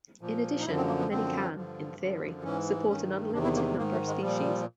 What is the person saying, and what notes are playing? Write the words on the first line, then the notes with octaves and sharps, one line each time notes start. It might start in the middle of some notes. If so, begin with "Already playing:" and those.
In addition, many can, in theory, support an unlimited number of species.
A#2 F3
D#4
F#2 D3 F3 E4
C4
A#3
B3
F#2 D3 F3 C4
G2 D3 F3
F#2 D3 F3
G#2 E3 C#4
G2 D#3 C#4
E2 C3 D#3 D4
E4
A#3
G#2 D#3 A#3
A3
G#3
A#2 F3 G3